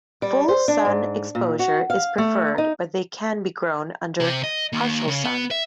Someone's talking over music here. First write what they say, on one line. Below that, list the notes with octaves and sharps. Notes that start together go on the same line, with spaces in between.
Full sun exposure is preferred but they can be grown under partial sun.
G3
C5
D4
G#2
A#2
F#4
F5
A3
D#4
C3 C5
D#5
D#3 A#3
C#3
B3
E5